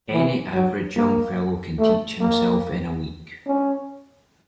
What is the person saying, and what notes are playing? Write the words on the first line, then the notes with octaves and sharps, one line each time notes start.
Any average young fellow can teach himself in a week.
E3
F#3
A#3
A3
A#3
C#4